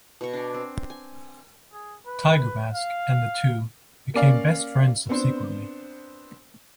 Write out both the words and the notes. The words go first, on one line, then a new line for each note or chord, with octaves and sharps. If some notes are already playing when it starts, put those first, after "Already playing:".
Tiger Mask, and the two became best friends subsequently.
B2 C#6
D4 G#5
C4
G#5
G#4
B4
F5
A#3 C#4 D5 F5
B3 C4 D4 C5